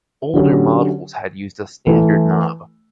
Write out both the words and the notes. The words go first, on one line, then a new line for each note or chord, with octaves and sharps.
Older models had used a standard knob.
D3 F#3 C#4 G4
E3 A3 E4